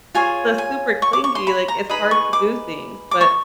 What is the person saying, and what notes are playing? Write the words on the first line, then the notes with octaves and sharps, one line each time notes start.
the super clingy, like, it's hard to do things, but,
F4 G#4 C#5 G#5
G#5
C#6
D6
C#6
C6
B5
A#5
D#4 G#4 B4 D#5 B5
C#6
D6
D6
C#6